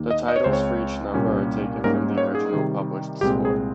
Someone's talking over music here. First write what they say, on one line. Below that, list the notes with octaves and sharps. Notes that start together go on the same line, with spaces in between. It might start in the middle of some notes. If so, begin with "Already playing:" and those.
The titles for each number are taken from the original published score.
Already playing: D#2 D#3 A#3
D#5
D#5
C#5
C#2 C#3 G#3 C4 C5
C#5
C2 A#2 G3 A#3 C#4
G#2 G3 A#3 C#4 A#4
C#5
G#4
C3 D#3 G3
C2 A#2 G#3 C4 G4
G#4